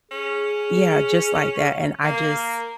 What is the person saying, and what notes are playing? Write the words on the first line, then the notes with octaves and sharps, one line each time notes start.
yeah, just like that, and I just
C#4 G#4
A#3